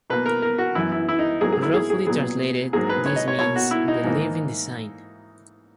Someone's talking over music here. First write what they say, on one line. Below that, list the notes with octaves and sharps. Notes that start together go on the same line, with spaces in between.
Roughly translated, this means "Believe in the sign".
B2 A#3 B4
A#4
A#4
F#4
F#2 E3 B3 E4
E4
E4
D#4
G#2 F#3 A#3 G#4
G#4
E4
G#4
G#4
A#2 F#3 B3 G#4
G#2 F#3 A#3 G#4
B4
C#5
D#5
C#5
B2 A#3 C#5
F#4
E4
D#4
G#2 E3 A#3